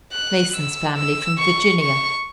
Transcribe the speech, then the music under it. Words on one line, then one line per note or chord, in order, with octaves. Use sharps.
Mason's family, from Virginia.
F#6
E6
E6
C#6
C#6